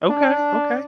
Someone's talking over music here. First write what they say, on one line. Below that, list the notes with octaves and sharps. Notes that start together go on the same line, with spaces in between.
Okay, okay.
D4